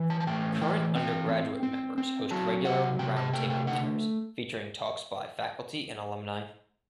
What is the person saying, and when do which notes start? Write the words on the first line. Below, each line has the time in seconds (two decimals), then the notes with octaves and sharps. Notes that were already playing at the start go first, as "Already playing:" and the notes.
Current undergraduate members host regular "Roundtable Dinners" featuring talks by faculty and alumni.
Already playing: E3
0.10 A5
0.20 A5
0.27 A2 G5
0.61 E3 G5
0.95 C4 G5
1.29 C4
1.63 C4
1.98 C4
2.31 F#3 A5
2.65 C3 F#5
2.99 C3 G5
3.16 A5
3.33 A3 G5
3.50 G5
3.67 D3 F#5